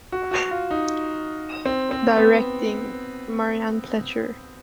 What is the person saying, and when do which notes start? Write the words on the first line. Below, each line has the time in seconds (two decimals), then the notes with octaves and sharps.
Directing: Marianne Pletscher.
0.12 F#4
0.31 F#4
0.51 F4
0.71 D#4
1.66 C4
1.91 C4
2.17 B3